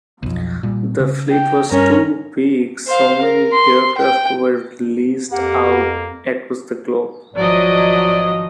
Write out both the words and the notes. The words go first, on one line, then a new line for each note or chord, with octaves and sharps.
The fleet was too big, so many aircraft were leased out across the globe.
B1 F2
A#2 G3
C#3
G5
G2 C#4 A#4
C5 F5
A#4
C6
G5
F2 A#3 G4 F#5
G#1 F3 F#3 D5 D#5